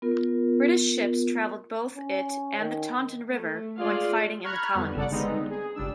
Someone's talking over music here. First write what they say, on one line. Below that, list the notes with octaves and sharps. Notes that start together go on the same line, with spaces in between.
British ships travelled both it and the Taunton River when fighting in the colonies.
B3 F4 A#4
C#4
D#3
A3
G#3 F4 G#4 D5 F5 C6
A#5 B5 C#6 F6 F#6 G#6
F2 D3 G3 B3
G1 C#3 A4 D5 F#5
D3 G3 G#3 B3 C4 D#4
G#4
G1 C#2 G3 D4 E6